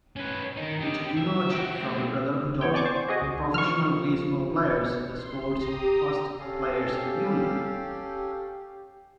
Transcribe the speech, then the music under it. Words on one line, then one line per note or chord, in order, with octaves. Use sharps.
It emerged from the Brotherhood of Professional Base-Ball Players, the sport's first players' union.
C#4 B4
D#3 D#4
G4 D#5
E5
F#4 G4
A3 C4
E3 B3 C#5 G5
D5 G#5 C#6 D6
C5
F#4 G#4 D#5
C#2
F3 C#6 F6
C6
G4 A#5 D#6
C#4 G4 A4 F5